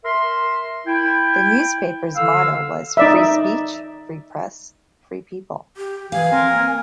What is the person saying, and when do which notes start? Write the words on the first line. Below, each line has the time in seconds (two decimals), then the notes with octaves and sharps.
The newspaper's motto was "Free Speech, Free Press, Free People".
0.05 A#4 E5 C6
0.87 E4 G5
2.16 D3 F5 E6
2.97 D#4 D5 E5
5.77 G4
6.12 E3 F5 G#5
6.32 C4 A#4
6.52 A#3